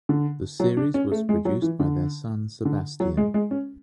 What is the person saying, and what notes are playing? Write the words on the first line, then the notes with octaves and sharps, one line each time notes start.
The series was produced by their son, Sebastián.
D3
F#3
D4
C#4
A3
G#3
F#3
E3
D3
D3
F#3
G#3
G#3
C#4